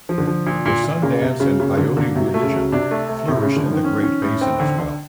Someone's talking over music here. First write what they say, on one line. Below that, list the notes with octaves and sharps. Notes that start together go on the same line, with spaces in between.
The Sun Dance and Peyote religion flourished in the Great Basin, as well.
F3
D3
F3
A#2
A#2
A#2
C#3 A#3
C3 A#3
C#3 F#3
C#3 A#3
D3 F#3
D3 A#3
C3 F#3
A3
C#3
F#3
C3 D4
A3
A3
A2 C3
C#3 C#4
D3
F3
D#3
C#4
C#4
A2
C4
D3
D3